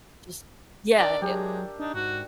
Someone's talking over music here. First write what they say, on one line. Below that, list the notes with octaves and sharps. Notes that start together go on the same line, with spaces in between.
Just Yeah, i
D4 A#4 D5 E5
F#3 G#3 G4
D4 D#4
G#2 F#4